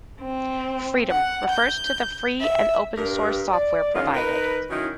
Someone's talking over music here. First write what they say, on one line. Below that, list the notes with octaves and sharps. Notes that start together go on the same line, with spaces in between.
"Freedom" refers to the free and open source software provided.
C4
F#5
G6
E5
G2 A#4
D5
D#3 G#3 B3 C#4 F4
D#4 A#4 B4
D#3 F#3 C#4 E4